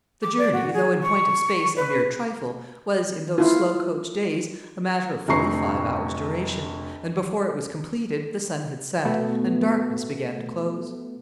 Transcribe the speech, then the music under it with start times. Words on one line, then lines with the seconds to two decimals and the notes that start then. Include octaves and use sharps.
The journey, though in point of space a mere trifle, was, in those slowcoach days, a matter of fully five hours' duration; and before it was completed the sun had set, and darkness began to close.
0.22 D6
0.38 D5
0.53 F#4
0.73 G#4
1.02 C#6
1.76 B4
3.38 E4 F4
5.28 F1 D2 A#5 C#6 C7
9.05 B2 A3 B3